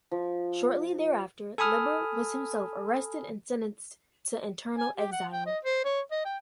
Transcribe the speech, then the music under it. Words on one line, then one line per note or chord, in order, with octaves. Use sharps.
Shortly thereafter, Liber was himself arrested and sentenced to internal exile.
F3
A4 G#5 B5 D#6 F6
G#5
G4
F#5
G5
D#5
C5
C#5
D#5
G5